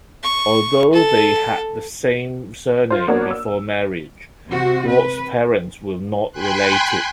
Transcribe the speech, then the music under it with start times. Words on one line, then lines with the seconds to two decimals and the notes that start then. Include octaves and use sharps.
Although they had the same surname before marriage, Ward's parents were not related.
0.23 C#6
0.93 A4
2.90 F4 C5
3.08 A#3 B3 D4 F#4 A#4 C#5
3.31 E6
4.50 C3 C4 F#4
4.88 B4
6.32 G5 G#5 B5 C6 F#6